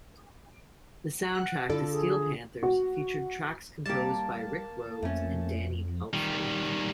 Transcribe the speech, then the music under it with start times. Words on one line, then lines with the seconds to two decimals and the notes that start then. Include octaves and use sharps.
The soundtrack to Steel Panthers featured tracks composed by Rick Rhodes and Danny Pelfrey.
1.35 F#5 F#6
1.70 D3 E4 F4 A4 D5
1.91 G#4
2.63 F#4
3.86 G3 A#3 G4 A5
5.03 F2 A3 C#4
6.13 D#3 G3